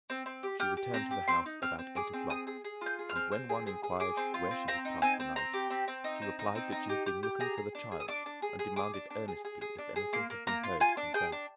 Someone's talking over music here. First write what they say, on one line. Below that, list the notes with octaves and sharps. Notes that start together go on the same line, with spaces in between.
She returned to the house about eight o'clock, and when one inquired where she had passed the night, she replied that she had been looking for the child and demanded earnestly if anything had been heard concerning him.
C4
C4
G4
G4 F6
G4
C4 A#5
G4
C4 C6
D#4
C4 F6
C4
G#4 D6
C4
G#4 D#6
G#4
G#4
F4
G6
G#4
F6
C4
C4
G#4
G#4
G#4
G#4 D6
C4
F4
C4
C4 A#5
D#4
C4 G#5
C4
C4 A#5
G4
C4
C4
D#4
C4
D#4
C4
D#4
G4
G4
G4
G#4 A#5
G#4
D4
G#4
D#6
D4 D6
D4
G#4
G#4
G#4 D6
D4
D4
G#4
G#4
G#4
D4
G#4
A#3 C6
A#3
A#3 A#5
F4
F4 G#5
D4
G#4 G5
D4